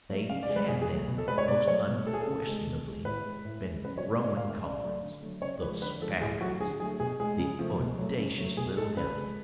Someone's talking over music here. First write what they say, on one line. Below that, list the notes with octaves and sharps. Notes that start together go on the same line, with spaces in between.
They had, then, most unquestionably, been "throwing" cards, the scoundrels! the "oudacious" little hellions!
F#3 A3
C#3 F5
D5
G#3
B4
B2 G#4
G#4
F#3 A3
B2
A4
G#3 B4
C#5
B2 D5
F#3 A3 C#5
B2
A3 A4
G#4
A4
C#3
G#3
B2
G#3
A2 B4
G#3
A2
G#3
C#3 B4
C#5
G#3
D5
D3 C#5
F5
G#3
F5
C#3 D5
F#3 A3
D3
F#3 A3
C#3 C#5
F3 G#3 B4
D3 B4
F3 G#3 A4
A2 G#4
F#3 A3 F#4
D3 G#4
F#3 A3 G#4
B2 G#4
G#3 G#4
C#3
F3 A3
B2
F#3 A3
C#3
F#3 A3
B2 G#4
G#3 A4
C#3 B4
G#3